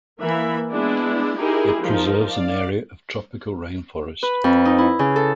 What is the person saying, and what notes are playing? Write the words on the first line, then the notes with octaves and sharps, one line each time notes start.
It preserves an area of tropical rainforest.
E3 A#3 E5 B5
G#3 B3 D4 E4
D#4 E4 G4 G#4 A#4
F3 D#4 A#4
D5 F5
B4
F2
D#4
E4
C#3
A4